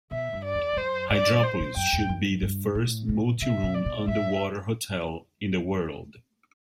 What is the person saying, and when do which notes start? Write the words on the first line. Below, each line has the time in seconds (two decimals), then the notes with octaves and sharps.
Hydropolis should be the first multi-room underwater hotel in the world.
0.11 B2 E5
0.33 G2
0.44 D5
0.54 E2
0.73 G2
0.76 F#2 C5
1.10 G2 D5
1.43 C5
1.60 B2
1.76 F#2 G5
1.93 E2
2.09 F#2
2.42 G2
2.75 A2
3.09 B2
3.42 C3 E5
3.63 B2
3.74 D5
3.86 B2
4.08 A2 E5